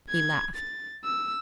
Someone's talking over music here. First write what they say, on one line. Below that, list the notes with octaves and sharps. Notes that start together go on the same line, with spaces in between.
He laughed.
G#6
A6
E6